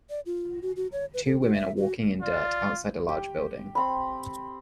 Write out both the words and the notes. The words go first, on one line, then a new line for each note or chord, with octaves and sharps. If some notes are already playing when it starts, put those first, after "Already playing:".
Two women are walking in dirt outside a large building.
D5
F4
F#4
F#4
C#5
B4
A4
F#4
E5
F#4
F4 D5
G4
C4 B5